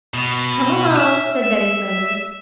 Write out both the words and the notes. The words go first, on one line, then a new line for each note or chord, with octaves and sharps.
"Come along," said Betty Flanders.
B2
E5